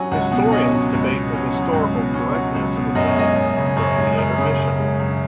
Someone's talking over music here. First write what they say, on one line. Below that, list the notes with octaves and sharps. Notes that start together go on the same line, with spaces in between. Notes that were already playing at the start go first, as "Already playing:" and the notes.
Historians debate the historical correctness of the film during the intermission.
Already playing: F#3 C#4 F#5 G#5
C#2 F#5
B2 F#5
C#4 D#5
F#3
C#2
B2
C#4
F#3
C#2
B2
C#4
F#3
C#2
B2
F#2 D#5
C#5
G#3 D#5
F#2
C#3
F#2 C#5
G#3
F#2
C#3
F#2
G#3
F#2